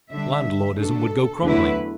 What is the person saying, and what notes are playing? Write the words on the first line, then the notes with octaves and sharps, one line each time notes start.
Landlordism would go crumbling.
D3 G3 D4 E5
B2 A3 D4 A4
E2 D3 F#3 A3 E4 B4